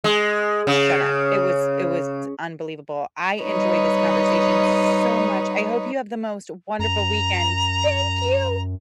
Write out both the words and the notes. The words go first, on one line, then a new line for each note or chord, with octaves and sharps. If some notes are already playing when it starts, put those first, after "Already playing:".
s shut up, it was, it was unbelievable. I enjoyed this conversation so much. I hope you have the most wonderful weekend. Thank you.
G#3
C#3
G3 D#4 B4 C#5 D#5
F#2 A#5